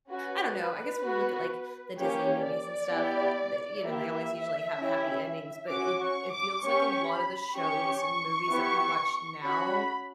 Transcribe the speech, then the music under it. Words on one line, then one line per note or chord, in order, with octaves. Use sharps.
I don't know, I guess when you look at, like, the Disney movies and stuff, uh, the you know, they always usually have happy endings, but it it feels like a lotta the shows and movies that we watch now,
C#4 F#4 B4
B3 F#4
A#3 C#4 G4 C#5
D5
B3 E4 G4
A#3 E4 G4 E5
C#4 E4 G4
C#4 F#4 D6
C#6
D6
C#4 G4 C#6
B5
C#4 G4 C#6
C#6
B3 E4 G4
C#4 F#4 B5